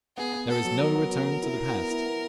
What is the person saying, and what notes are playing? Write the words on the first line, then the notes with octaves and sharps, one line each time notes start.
There is no return to the past.
B3 G#4
B3
B3 A4
F#3
F#3 A#4
B3
F#3
F#3
E4
E4
B3
E4
B3